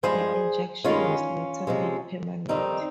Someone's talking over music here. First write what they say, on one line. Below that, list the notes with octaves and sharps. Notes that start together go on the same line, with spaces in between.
The injunction was later made permanent.
G2 F3 G#3 G#4 C5
G2 D#3 G#3 C#4 F4
C3 F3 G#3
F2 D#3 G3 C4 D#4